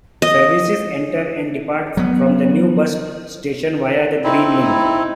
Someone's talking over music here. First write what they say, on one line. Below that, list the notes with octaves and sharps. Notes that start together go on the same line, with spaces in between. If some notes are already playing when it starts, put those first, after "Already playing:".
Services enter and depart from the new bus station via the Green Link.
D#5
F#3 B3
C4 D#4 E4